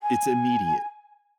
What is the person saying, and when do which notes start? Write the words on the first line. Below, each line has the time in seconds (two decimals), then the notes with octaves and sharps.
It's immediate.
0.02 G#5